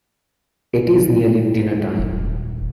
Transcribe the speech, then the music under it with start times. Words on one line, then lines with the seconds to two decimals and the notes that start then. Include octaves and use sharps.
It is nearly dinner-time.
1.99 D#1